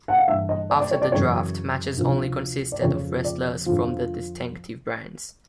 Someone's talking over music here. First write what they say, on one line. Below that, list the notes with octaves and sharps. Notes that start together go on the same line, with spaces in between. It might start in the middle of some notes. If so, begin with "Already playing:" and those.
After the draft, matches only consisted of wrestlers from their distinctive brands.
F#5
F5
G2 E3 E5
D#5
D5
D5
C#5
D5
F#2 C#3 E3 C#5
D2 C3 F3
D5
F2 C#3 F3 C#5
D5
F2 D3 F3